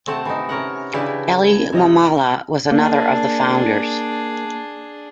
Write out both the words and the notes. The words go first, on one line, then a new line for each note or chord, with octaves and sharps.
Elly Wamala was another of the founders.
C3 A3 C4 F#5 A5
E3 D#4
C3 C#4 A#4 F#5
C#3 E3 D4 E4 G4 B4
G#5
C3 D#5 A#5
A#3 D4 G#4